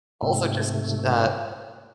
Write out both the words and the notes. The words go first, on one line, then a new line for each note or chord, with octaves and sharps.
also just, uh
G#2 C3 A3